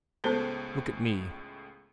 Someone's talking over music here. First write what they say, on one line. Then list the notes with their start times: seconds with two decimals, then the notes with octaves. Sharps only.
Look at me.
0.24 C#2 A2 G#3 B3 F#4 A4 C5 A5